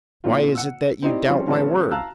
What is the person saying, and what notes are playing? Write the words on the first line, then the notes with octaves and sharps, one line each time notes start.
"Why is it that you doubt my word?"
A#2 E3 C4 D4 F4
F#5 E6
C4 D#4 E4 G4 D5
F3 G3 G#3 C4 C#4 F4
A1 C#3 C4 C#4 B4 A5
F5 A5 A#5 E6 F#6